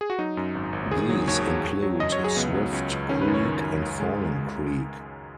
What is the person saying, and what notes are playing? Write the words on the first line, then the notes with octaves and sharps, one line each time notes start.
These include Swift Creek and Falling Creek.
G#4
F#4
F#3 D#4
F#2
G#1
G#1
D#3 G#4
F#3
D#2 C#5
F#3
F#3
F#3
F#2 D#5
C#5
F#3
G#4
C#2 B3
F#3
C#2 C#4
C#2
D#3 C#4
B4
F#2
C#5
D#3
F#2
C#2
G#3